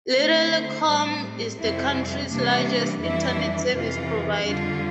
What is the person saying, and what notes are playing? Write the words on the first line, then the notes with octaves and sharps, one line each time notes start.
Lattelecom is the country's largest internet service provider.
D3 A3 C4 C5
A2 G3 C4
F2 C3 G3 C4 E4
C3 E3 G3 A#3 D4
F2 E3 G3 D4 E4
F2 C3 E3 F4
F2 D3 G3 F4